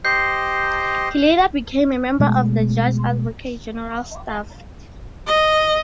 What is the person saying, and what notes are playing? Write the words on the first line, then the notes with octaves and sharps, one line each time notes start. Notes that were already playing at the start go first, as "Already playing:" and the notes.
He later became a member of the Judge Advocate General's staff.
G4 C5 D#5 G6 C7
B2 G#3 A3
D#5